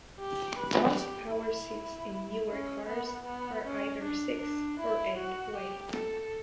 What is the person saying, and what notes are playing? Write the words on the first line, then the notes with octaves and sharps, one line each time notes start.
Most power seats in newer cars are either six- or eight-way.
G4
B4
G4
E4
C#4
B3
B3
C#4
D4
D4
E4
F#4
G4
A4